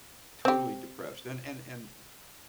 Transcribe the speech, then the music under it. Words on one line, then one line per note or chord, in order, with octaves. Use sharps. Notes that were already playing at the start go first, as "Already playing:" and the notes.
totally depressed, and and and
C4 G4